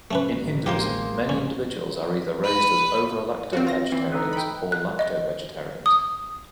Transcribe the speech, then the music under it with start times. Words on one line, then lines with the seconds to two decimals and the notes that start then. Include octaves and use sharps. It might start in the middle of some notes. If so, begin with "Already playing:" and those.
In Hinduism, many individuals are either raised as ovo-lacto vegetarians or lacto vegetarians.
0.11 A1 A3 C#4 B4
0.66 G#3 A#3 G4 C5 F5 C6
1.29 C#4
2.43 B4
3.53 C4 F4 F#4
3.67 F4 A#6
3.92 E3 C4
4.12 D#4 A4 B4
4.33 G5 B5
4.72 F#6
4.99 D#5
5.86 D#6